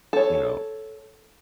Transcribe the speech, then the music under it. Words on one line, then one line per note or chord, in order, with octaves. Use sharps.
you know,
A4 C#5